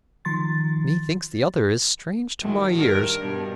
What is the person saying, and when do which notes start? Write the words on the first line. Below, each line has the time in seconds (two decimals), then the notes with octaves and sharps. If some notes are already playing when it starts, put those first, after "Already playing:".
Methinks the other is strange to my ears.
0.25 D#3 F3 C6 A6
2.41 A2 D#3 F#3
2.76 G2 A#4
3.19 G2 B2